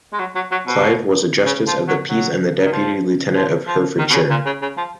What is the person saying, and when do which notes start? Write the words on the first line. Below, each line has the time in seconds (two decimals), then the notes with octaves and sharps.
Clive was a Justice of the Peace and the Deputy Lieutenant of Herefordshire.
0.13 G#3
0.19 F#3
0.35 F#3
0.52 F#3
0.67 B2
1.46 C#3
1.67 F3
1.88 F#3
2.09 F#3
2.65 D#3
2.72 F3
3.36 F3
3.67 F3
3.99 D#3
4.09 B2
4.15 C#3
4.30 A#2
4.46 C#3
4.62 C#3
4.77 F3